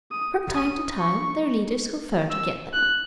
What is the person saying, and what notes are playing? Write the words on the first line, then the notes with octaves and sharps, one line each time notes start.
From time to time their leaders conferred together.
D#6
D#6
C#6
E6
F#6